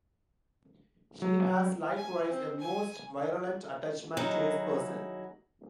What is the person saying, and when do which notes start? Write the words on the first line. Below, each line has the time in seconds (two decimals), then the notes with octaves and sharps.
She has likewise a most virulent attachment to his person.
1.22 F#3
1.96 G#5
2.28 C4
2.59 G#5
4.17 D#3 F#3 D#4 E4 G#4